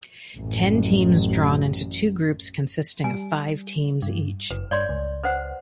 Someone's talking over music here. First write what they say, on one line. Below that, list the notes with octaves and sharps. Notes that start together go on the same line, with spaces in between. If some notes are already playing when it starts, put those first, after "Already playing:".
Ten teams drawn into two groups consisting of five teams each.
A1 F#2
G3 G#5
G2
F#1 B4
G2 C#5 D5 C6
C#2
B4 C5 F#5